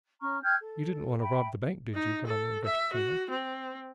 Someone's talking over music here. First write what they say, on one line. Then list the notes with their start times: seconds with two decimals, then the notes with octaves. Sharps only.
"You didn't want to rob the bank, did you?" went on the inventor, keenly.
0.21 C#4 A#5 C#6 F6
0.42 G5 F6 G6 G#6
0.59 A4
1.20 E5 G5 B5
1.94 D#4
2.26 A4
2.64 E5
2.93 F#4
3.30 C4